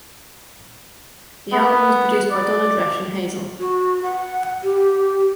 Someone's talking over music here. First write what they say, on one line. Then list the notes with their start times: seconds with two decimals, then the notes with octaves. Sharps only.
The album was produced by Donna Dresch and Hazel.
1.53 B3
2.31 D5
3.59 F#4
4.03 F#5
4.63 G4